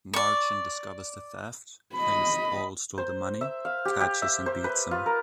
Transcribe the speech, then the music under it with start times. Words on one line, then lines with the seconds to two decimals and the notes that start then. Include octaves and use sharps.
Marchand discovers the theft, thinks Paul stole the money, catches and beats him.
0.14 D5 C#6
1.95 D#5 B5
2.98 C5
3.41 E5
3.65 F5
3.85 G4
4.01 G4
4.22 E5
4.46 C5
4.64 B4
4.91 F4
5.06 A#4